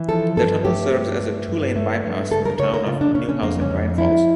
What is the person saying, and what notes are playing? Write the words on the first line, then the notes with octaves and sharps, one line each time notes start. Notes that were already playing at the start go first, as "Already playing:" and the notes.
The tunnel serves as a two-lane bypass the town of Neuhausen Rhine Falls.
Already playing: E3
F3 A4
G2 A4
A3 G4
G2
A3
G2
A3
G2
C#3 A4
A#4
C#3 C#5
A#4
C#3 F4
D4
C#3 C#4
C#4
F2 A#3
C#4
F2
F3 E4